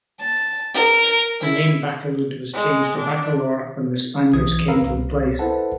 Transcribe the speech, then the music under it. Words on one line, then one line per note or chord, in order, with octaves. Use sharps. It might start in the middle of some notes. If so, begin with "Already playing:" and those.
The name Baculud was changed to Bacolor when the Spaniards came to the place.
A5
A#4
E4
G#3
D4
B1 E3 D#6 G#6
A#4 B4 F5 A#5 B5 E6
C2
E4 A4 B4 C5 F#5 A5